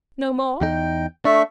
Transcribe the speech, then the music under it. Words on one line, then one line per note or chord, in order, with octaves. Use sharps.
"No more?"
E2 D#4 G5
A3 D4 E5 C#6